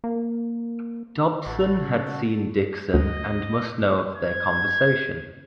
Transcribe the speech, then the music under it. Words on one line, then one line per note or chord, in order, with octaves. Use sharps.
Dobson had seen Dixon and must know of their conversation.
A#3
A1 F#4 A4
C#3
D2 D#5
G#6